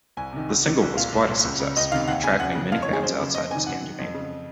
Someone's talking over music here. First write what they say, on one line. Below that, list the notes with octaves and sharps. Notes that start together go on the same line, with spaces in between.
The single was quite a success, attracting many fans outside of Scandinavia.
C2 G#5
C3 D#3
C#2
C3 D#3
C2
A#2 F5
C2
A#2
C#2
C#3
C#2 D#5
C3 D#3 F5
D#2 F#5
C#3 G#5
F#2 F#5
C#3
F2 F5
C#5
D#3
G#4
F#2 C5
C#3
F2 D#5
C3 D#3 G#5
F#2 F#5
D#3
F2
C#3